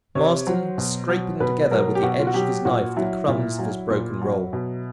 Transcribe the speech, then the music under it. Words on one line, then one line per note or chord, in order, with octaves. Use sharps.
Marsden was scraping together with the edge of his knife the crumbs of his broken roll.
C3 C#5
F#3 C5
B2
F#3
B2 B4
F#3 A#4
G4
B2 F#4
F4
F#4
F#3 G4
A#2 F#4
F#3 E4
A#2 E4
F#3
A#2
F#3
B2